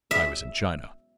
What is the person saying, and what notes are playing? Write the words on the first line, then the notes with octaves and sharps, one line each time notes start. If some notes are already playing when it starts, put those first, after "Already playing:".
I was in China.
E5